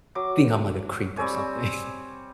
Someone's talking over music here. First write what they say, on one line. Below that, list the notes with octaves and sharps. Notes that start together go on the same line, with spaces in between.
think I'm like a creep or something.
F#3 D6
G3 C4 C#5 G#5